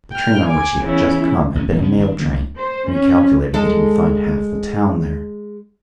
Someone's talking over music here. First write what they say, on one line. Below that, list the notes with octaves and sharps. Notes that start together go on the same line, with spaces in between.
The train on which he had just come had been a mail-train, and he calculated that he would find half the town there.
G5 F6
G#5 D6
E2 C#3 C#4 E4
A1 E2 D3 C#4
A#1 G3
C#2 B3 C#4
D#1 D#3 C4 D4
D3 F3 A#3 D4
C5
C#4
G#3 A4